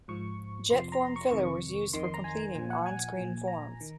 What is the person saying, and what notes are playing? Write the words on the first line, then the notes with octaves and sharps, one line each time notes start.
JetForm Filler was used for completing on-screen forms.
G#2 F3 C#6
F2 C3 F3 C6
A#5
C6
C#6
F2 C3 D#3 C#6
F2 D#3 C6
C6
A#5
G#5
A#2 F3 G#5
F#5
G#5
A#2 F3
A#5
D#3